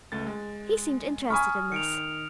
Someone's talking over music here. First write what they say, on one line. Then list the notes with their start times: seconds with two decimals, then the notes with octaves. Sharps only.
He seemed interested in this.
0.12 C#2 A3 A6
0.27 G#3
1.30 G#5 A#5 B5 C#6 D#6 F6
1.72 D#3 C#7 D7 F7